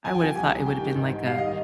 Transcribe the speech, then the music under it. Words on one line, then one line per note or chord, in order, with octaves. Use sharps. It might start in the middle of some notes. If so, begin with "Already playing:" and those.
I would have thought it woulda been like a
F3 G#5
G5
C3 G#5
C2 G#5
C2
G3 G5
D#3
G#2
G#2
G3 F5
D#3 D#5